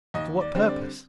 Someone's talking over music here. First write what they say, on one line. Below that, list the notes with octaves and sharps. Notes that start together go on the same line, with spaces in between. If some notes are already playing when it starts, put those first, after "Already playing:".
To what purpose?
D#2 D#5
D5
D3 G3 C4
D5